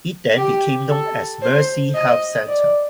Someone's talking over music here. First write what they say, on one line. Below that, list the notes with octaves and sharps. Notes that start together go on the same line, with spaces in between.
It then became known as Mercy Health Center.
G4
A4
C5
D#5
D5